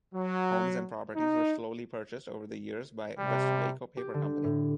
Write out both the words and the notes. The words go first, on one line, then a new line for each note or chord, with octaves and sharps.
Homes and properties were slowly purchased over the years by Westvaco paper company.
F#3
D#4
C3 G3
G4
D3
A2